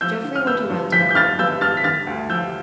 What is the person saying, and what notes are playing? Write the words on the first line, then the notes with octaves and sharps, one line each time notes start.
Jeffrey went around to the garden door and knocked.
F3 E6 G6
D3
F6
B3 E6 G6
G2
F3 G6 B6
G6
D3 F6 A6
B3 E6 G6
G2 F6 A6
B6
D3 F6 A6
D2
F3 E6 G6